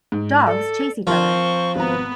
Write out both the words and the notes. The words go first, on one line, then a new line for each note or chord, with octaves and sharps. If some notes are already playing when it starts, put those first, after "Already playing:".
Dogs chase each other.
G#2
A4 D5
F3 C4 A#4 C5 C#6
G#1 B3 B4 A#5